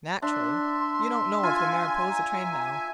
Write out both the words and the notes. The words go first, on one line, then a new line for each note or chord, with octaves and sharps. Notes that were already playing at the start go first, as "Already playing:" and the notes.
Naturally you don't know of the Mariposa train now.
D4 E5 C6
F4 G#5
A#5